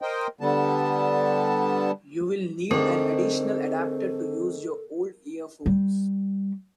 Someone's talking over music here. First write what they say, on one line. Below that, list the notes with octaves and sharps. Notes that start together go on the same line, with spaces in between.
You will need an additional adapter to use your old earphones.
A#4 C5 D#5 G5
D3 G3 B3 A5
D2 G#2 C4 A4 A#4
G3